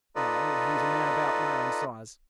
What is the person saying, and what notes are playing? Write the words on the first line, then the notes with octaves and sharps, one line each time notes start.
"No, he is a man about my own size."
D#4 F4 A4 B4 D5 D#5